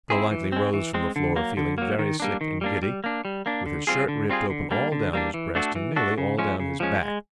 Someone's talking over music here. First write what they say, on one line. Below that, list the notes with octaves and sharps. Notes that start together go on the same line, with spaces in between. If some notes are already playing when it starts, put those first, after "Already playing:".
Golightly rose from the floor feeling very sick and giddy, with his shirt ripped open all down his breast and nearly all down his back.
C4 E4 G#4
E3
G#3 C4
E3
G#3 C4
D3
F#3 A#3
D3
F#3 A#3
D#3
G3 A#3 D4
D#3
G3 A#3 D4
G3
A#3 D4
G3
A#3 D4
D3
G3 C4 F4 G#4
D3
G3 C4 F4 G#4
D3
G3 A#3 D4
D3
G3 A#3 D4
E3
A3 D4 F#4 A4
E3
A3 D4 F#4 A4
C#3
F3 G#3 C#4
C#3
F3 G#3 C#4
G#3